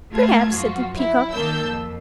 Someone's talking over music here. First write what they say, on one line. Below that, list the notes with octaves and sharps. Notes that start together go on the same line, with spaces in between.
"Perhaps," said the Peacock.
A3 F4 A#4 A5 G#6
F#2 F3 F4 F#4
E4
D#3 A#3 A5 E6 G6
F2